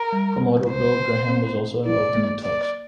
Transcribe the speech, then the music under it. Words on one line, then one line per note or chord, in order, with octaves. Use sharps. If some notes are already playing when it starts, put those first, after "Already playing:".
Promoter Bill Graham was also involved in the talks.
Already playing: A#4
G3
C5
C4
E4 D5
A#3
D5